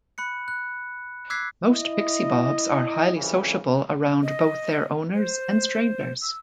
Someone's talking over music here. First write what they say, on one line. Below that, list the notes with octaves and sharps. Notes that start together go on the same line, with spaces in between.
Most Pixie-bobs are highly sociable around both their owners and strangers.
B5 F#6 C#7
F#6
D6 E6 F#6 G#6 B6 C7
E4 D#5
C2 F2 C#3 E3
D#5
C5
E6